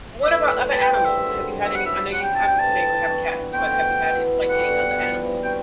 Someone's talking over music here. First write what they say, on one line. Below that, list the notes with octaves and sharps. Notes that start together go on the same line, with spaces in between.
what about other animals? Have you had any I know you haven't been able to have cats, but have you had an like, any other animals?
A3 E4 B4 D5 E5
E3 G3 C4 G4 A5
G5
G5
E5
F#2 D3 F#3
F#3 B3 E4 B4 E5
F#5
E5
C3 G3 D4 G4 F#5
G5
A5
G5
E3 G3 D4 A4 A5
E3 B3 D4 F#4
B2 A3 C4 F#4 G5
E3 B3 E4
G2 D3 G3 B3 F#5
E3 B3 D4
C3 F#3 C4 F#4 G5